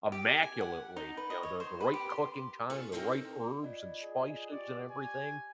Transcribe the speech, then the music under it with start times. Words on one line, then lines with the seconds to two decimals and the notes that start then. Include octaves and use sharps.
immaculately, you know, the the right cooking time, the right herbs and spices and everything,
0.12 G4
0.43 G#5
0.61 F#5
0.97 D#4
1.17 B4
1.30 D#5
1.43 C#5
1.60 C5
1.80 B4
1.94 G4
2.10 C6
2.70 B3 C#4 D4 F4 A4
2.92 C4 D#4 A4 A#4 C5
3.63 F4 D5 D#5
4.03 G#4
4.52 G4 D5
4.91 G#5